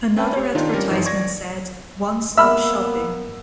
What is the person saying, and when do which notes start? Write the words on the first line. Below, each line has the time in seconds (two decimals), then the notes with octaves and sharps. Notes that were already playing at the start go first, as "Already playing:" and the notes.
Another advertisement said, One-stop shopping.
0.16 C4 C#4 B4 G5 A5 B5
0.37 G4 C#5
0.55 D#3 C4 D4 D#4 F4
0.73 G3 C#4 G4 A#4
0.89 G1 E3 F3 D#4
1.05 D5 C#6 G#6 A#6
2.38 A#3 B3 E5 B5 E6 F6